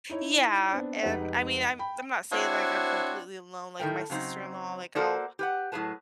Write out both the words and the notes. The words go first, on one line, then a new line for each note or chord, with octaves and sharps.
Yeah, and, I mean, I'm I'm not saying, like, I'm completely alone, like, my sister-in-law, like, I'll
D#4 E4 C#5
B3 C4 D4
F1 G#3 D#4 G4 B4 F#5
G5 B5
C4 D4 E4 F#4 C5 C#5
A2 D#3 F3 A3 A#4 G5
C#3 F#3 C4 D#4
A#3 F#4 A4 C5 D5
G4 B4 F#5
A2 F#3 G#4 B4 A5